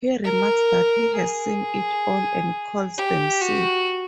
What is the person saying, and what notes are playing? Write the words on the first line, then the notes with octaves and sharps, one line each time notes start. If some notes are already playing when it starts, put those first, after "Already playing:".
He remarks that he has seen it all and calls them "sick".
A#4
G#4
G4
F#4